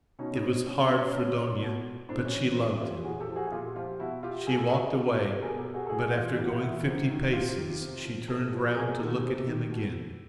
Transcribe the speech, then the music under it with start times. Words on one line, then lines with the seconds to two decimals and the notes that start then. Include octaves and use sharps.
It was hard for Dounia, but she loved him. She walked away, but after going fifty paces she turned round to look at him again.
0.19 B2 C#4 D#4
0.36 D#4
0.43 C4 D4
0.66 B2 C#4
0.90 C#4
1.14 B2
1.62 B2
2.09 A2 C4 D4
2.25 C#4
2.32 E3
2.49 C4
2.57 A2 C#4
2.80 E3 F4 G4
3.04 A#2 F#4 G#4
3.20 G4 A4
3.28 F3
3.36 F#4 G#4
3.47 G#4
3.52 A#2 F4 G4
3.76 F3 F4 G4
4.00 B2 E4 F#4
4.23 F4 G4
4.47 B2 G#4
4.58 A4
4.68 F#4 G#4
4.95 B2 F4 G4
5.19 G4 A4
5.43 B2 G#4 A#4
5.59 G4 A4
5.74 F#4 G#4
5.86 A4
5.90 A2 F#4 G#4
6.07 F#4
6.13 E3 F4 G4
6.38 A2 G4
6.45 F#4
6.53 F4
6.60 E3 E4 F#4
6.85 C3
7.09 D#3
7.33 C3 F4 G4
7.57 D#3
7.81 C3
8.04 F3
8.28 C3 G4 A4
8.52 F3
8.76 C3 G#4 A#4
8.99 D#3 G4 A4
9.23 C3
9.47 D#3
9.71 B2